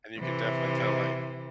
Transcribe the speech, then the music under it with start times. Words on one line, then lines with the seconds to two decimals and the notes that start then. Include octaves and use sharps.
And you can definitely tell, like
0.19 C3 E3